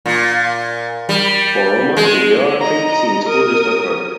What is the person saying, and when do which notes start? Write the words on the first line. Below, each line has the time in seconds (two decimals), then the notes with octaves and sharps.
For Rohmer's bibliography, see his full list of work.
0.06 A#2
1.09 G3
1.97 G#3
2.61 D#5 A#5
3.26 A#4 D#6